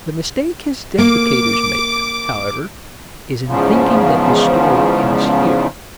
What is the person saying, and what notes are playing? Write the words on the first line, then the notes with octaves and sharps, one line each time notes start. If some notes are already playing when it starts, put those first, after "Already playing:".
The mistake his depreciators make, however, is in thinking that his story ends here.
A#3 D6
E2 G#2 C#3 F3